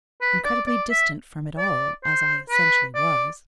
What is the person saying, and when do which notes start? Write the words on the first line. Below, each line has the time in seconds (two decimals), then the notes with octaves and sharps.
Incredibly distant from it all as I essentially was.
0.21 B4
0.45 D5
0.67 D5
0.90 E5
1.58 D5
2.04 C5
2.49 B4
2.95 D5